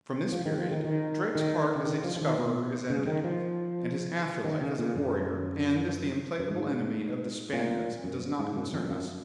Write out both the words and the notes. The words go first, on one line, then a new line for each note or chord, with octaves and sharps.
From this period Drake's part as a discoverer is ended, and his after-life as a warrior and as the implacable enemy of the Spaniards does not concern us.
F3
D#3
F3
D#3
D#3
D#3
C#3
D#3
F3
F3
D#3
B2
C#3
D#3
F3
D#3
C#3
A#2
F#2
F#2
G#2
A#2
F#2
G#2
F#2
F2
F#2